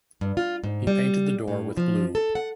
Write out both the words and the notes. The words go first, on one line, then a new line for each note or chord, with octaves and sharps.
He painted the door with blue.
G2
F4
G#2
G3
A2
F3
A4
F#5